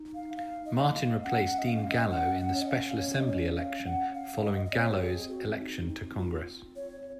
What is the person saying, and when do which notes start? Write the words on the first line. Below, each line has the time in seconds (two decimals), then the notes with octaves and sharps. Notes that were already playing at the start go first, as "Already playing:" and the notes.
Martin replaced Dean Gallo in a special Assembly election following Gallo's election to Congress.
Already playing: D#4
0.15 F5
0.37 F5
0.66 D#5
0.95 F5
1.23 C#4 F#5
1.46 F#5
1.58 D#5
1.67 F5
1.89 D#5
2.10 F#5
2.40 F#5
2.54 C#5
2.61 D#5
2.69 F5
2.98 C#5
3.18 D#5
3.27 C#5
3.56 F5
3.85 F#5
4.14 F5
4.43 D#5
4.66 D#5
4.72 C4 C#5
4.91 F#4
5.01 G#4
5.30 F#4
5.60 D#4
5.82 C4
5.89 D#4
6.18 F4
6.25 C4
6.76 C#5